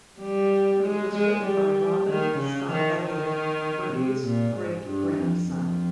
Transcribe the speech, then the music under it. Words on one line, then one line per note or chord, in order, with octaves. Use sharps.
It was written by Robin Scott-Elliot, Bertie's great-grandson.
G3
G#3
G#3
G3
D#3
C#3
D#3
D#3
C3
A#2
G#2
G2
F2
F2